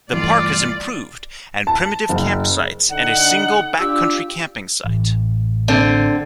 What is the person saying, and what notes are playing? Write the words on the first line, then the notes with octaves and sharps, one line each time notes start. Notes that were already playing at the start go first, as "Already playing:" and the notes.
The park has improved and primitive campsites and a single backcountry camping site.
G1 E3 A3 F4 D5
A5
F#1
D3 D#4 F#5
D4 F4 G4 E6
A1
D3 C4